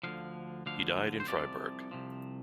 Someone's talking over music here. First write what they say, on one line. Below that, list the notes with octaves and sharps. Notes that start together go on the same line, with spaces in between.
He died in Freiburg.
D2 D3 F3 F5
D2 D3 F3 F5
C5
C2 C3 F3 D5
C2 C3 F3